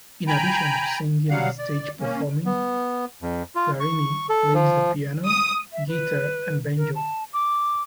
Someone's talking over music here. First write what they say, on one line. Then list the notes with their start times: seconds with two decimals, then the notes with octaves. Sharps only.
In addition to singing and stage performing, Guarini plays the piano, guitar, and banjo.
0.27 G5 G#5 A#5 B5
1.30 F#3 G3 F5 F#5
1.58 D5
2.00 A#3 C#4
2.46 B3
3.22 F2
3.55 F4
3.80 C#6
4.29 A4
4.54 F3
5.27 D#6
5.72 E5
5.88 B4
6.77 A#4
6.95 A5
7.33 D6